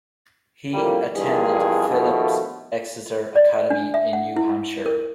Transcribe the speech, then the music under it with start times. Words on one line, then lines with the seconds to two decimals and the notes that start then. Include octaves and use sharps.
He attended Phillips Exeter Academy in New Hampshire.
0.74 F2 A2 G3 A#3
1.14 A#1 E2 G2 A#2 D#3 G#4
1.88 A#1 D#2 B2 F3 A3
3.36 D5
3.70 D4
3.94 E5
4.13 F#5
4.37 E4
4.86 A#4